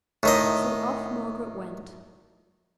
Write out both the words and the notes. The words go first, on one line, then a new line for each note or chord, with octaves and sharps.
So off Margaret went.
A2 D#3 D#5